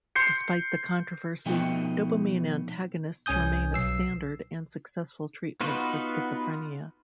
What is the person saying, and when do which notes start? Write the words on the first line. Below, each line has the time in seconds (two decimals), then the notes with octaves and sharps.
Despite the controversy, dopamine antagonists remain a standard and successful treatment for schizophrenia.
0.15 C6 G6 C7 C#7
1.46 B2 F3 A3 D#4 F#4 G5
3.26 C2 C#4 G#5 D#6 G6
3.73 B1 E6 C7
5.61 B3 D#4 F4 F#4 B4